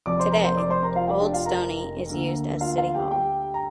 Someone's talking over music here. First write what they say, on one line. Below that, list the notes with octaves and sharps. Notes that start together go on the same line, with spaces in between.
Today, Old Stoney is used as City Hall.
F1 F2 F3 D5 D6
C5 C6
A#4 A#5
C5 C6
D5 D6
C5 C6
A#4 A#5
F4 F5
G4 G5
D4 D5
F4 F5
A#4 A#5
D2 D3 A#3
F4 F5
F4 F5
G4 G5
G4 G5
A#5